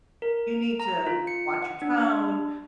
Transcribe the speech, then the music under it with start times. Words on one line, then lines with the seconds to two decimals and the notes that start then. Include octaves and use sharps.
you need to watch your tone,
0.22 A#4
0.80 A#5
1.07 F4
1.27 C#7
1.63 F#5
1.82 D4